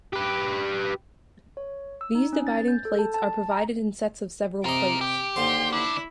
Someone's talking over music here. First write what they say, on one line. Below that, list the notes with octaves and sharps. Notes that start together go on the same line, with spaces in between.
These dividing plates are provided in sets of several plates.
G4 B4
C#5
E6
D#4
C#4
A6
G6
A4
A5
A5
A#5
C3 F4 A#4 D#5 D7
G4
D#2 D3 C5 C6
D2 D4 E4